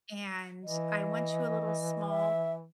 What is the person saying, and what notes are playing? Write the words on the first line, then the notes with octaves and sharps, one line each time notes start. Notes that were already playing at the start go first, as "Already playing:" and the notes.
and I went to a little small
E3 D#5
E5